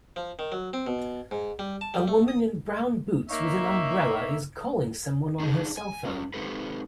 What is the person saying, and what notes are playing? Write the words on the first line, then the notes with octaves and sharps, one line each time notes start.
A woman in brown boots with an umbrella is calling someone on her cellphone.
F3
D#3
F#3
C4
B2
G#2
G3
A5
G3
A3
D#6
A#3 D#4 C#5 E5
D4 D#4 G#4
G#5
C#4 F4
G#3 C4 D#4 G4 A4 B4